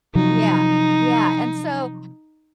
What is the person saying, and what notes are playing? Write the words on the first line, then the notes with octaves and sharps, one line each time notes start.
yeah, yeah, and so
C3 F3 F#3 D#4